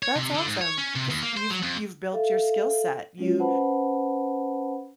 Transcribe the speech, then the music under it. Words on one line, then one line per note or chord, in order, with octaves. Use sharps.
That's awesome 'cause you've you've built your skill set. You
C#5
C3
D3
G#2
C#5
C#4
C3
D#2
A#3
C5
F#3
F2
A4 E5 F5
F#3 G#3 C#4 F4 F#4 C#5
C#4 B4 C5 F#5 A5 B5